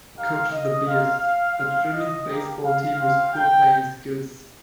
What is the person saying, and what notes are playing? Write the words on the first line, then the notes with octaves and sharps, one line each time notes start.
He coaches the Bears, a children's baseball team with poor playing skills.
A#3 D#4 G4 F5
D#5
A#3 F4 F5
C4 F4 F5
D#5
A#3 G4
F5
C4 F4 F5
G5